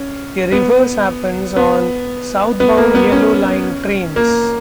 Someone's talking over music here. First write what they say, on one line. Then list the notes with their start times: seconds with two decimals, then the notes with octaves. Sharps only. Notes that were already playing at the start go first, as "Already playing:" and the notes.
The reverse happens on southbound Yellow Line trains.
Already playing: C#4
0.52 B3
1.56 B3
2.60 B3
2.77 A#3
2.95 B3
3.12 C#4
4.16 A#3